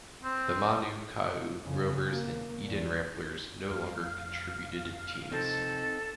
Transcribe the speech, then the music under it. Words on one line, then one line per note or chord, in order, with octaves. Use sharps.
The Manukau Rovers and Eden Ramblers no longer contributed teams.
C4
F2 C#3
A#3
E2
F2 A3 F5
C3 F3 C4 D#4 A4 C5